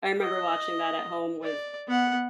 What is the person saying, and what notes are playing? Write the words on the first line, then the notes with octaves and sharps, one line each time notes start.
I remember watching that at home with,
D#5
D5
B3 F#5